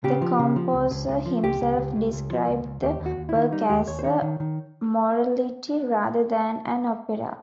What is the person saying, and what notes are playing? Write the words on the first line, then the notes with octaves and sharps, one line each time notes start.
The composer himself described the work as a 'Morality' rather than an opera.
C#3 G4
F3
C#3
F3
C#2
C#2
C#2
F3
C#2 G4
C#2
C#2
C#2
C#2
F3
C#2
C#2
D#2 G4
D#2
F#4
D#2
E4
D#3
G3 D#4
D#2 G4
D#2 C#5
C5
D#3 C#5
D#3
D#3